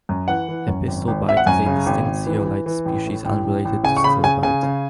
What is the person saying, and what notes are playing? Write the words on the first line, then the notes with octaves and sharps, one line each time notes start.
Epistilbite is a distinct zeolite species unrelated to stilbite.
F#2
E3 F#5
E3
F#2
G#1
G#1
G#1 E5
F#5
F#2 G#5
C#3
G#1
G#1
E3
E3
E3
A1
A2
A1
A1
A1
C#3 G#5
C#6
C#3 B5
C#3 G#5
C#3 G#5
C#3